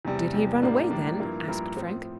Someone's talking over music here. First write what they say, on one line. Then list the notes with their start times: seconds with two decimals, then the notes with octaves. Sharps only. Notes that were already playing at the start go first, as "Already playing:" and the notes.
"Did he run away then?" asked Frank.
0.05 E2 C3 G3
0.34 E2 C3 G3
0.62 A2 G3 A#3 D4
0.91 A2 G3 A#3 D4
1.20 G2 F3 A#3 E4 A#4
1.48 G2 F3 A#3 E4 A#4
1.76 A2 F3 C4